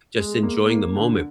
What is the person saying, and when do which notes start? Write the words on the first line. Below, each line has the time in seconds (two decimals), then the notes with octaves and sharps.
just enjoying the moment.
0.18 G#3
0.43 A#3
0.70 A#3
0.95 D3